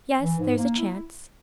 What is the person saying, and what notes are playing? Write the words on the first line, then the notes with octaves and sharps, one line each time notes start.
"Yes, there's a chance."
E3
G#2
A#3
E4